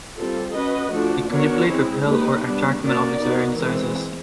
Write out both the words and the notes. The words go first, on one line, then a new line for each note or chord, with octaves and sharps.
He can manipulate, repel or attract metal objects of varying sizes.
G3 C4 F4 A4
C#4 F#4 B4 D#5
F3 A3 D4 F#4
B3 D4 F#4 A#4 C#5
G#3 C4 E4 G#4
A#3 D#4 G4 B4
G3 B3 D4
A#3 C#4 F#4 A#4 D5
B3 D#4 F#4 A#4
E3 G#3 C4